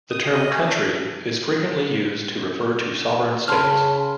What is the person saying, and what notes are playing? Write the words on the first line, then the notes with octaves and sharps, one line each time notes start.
The term "country" is frequently used to refer to sovereign states.
D#6
D#5
C#4
D4
C#3 A5 B5 C6 F6